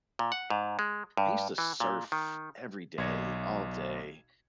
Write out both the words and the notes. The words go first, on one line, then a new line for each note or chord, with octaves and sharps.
I used to surf every day, all day,
A#2
F#5
G#2
G#3
G2
E3
A#2
D#3
B1 D5 G#6 C#7